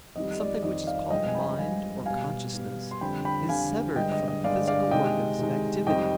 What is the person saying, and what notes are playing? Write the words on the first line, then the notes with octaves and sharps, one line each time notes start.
Something which is called mind or consciousness is severed from the physical organs of activity.
F2 D#3 G3 D#5
D5
F2 D#3 G3 D#5
D5 F5
G2 F3 G#3 D#5 G5
G#5
G5 B5
G2 F3 G#3 F5 G#5
B2 G3 F5 G#5
B2 G3
C6
F2 D3 G3 G5 B5
G5 B5
F2 D3 G3 F5 G#5
G2 D3 G#3 D#5 G5
D#5
D#5
G2 D3 G#3 D5 F5
D5 F5
C3 D#3 G#3 D#5 G5
C3 D#3 G#3
F2 D#3 G3 D#5 G5